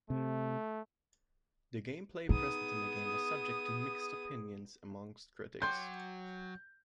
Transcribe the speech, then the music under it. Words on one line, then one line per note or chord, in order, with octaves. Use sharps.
The gameplay present in the game was subject to mixed opinions amongst critics.
C3 A3
B3 D#4 G#4 D#6
F#3 G5 C6 D6 G6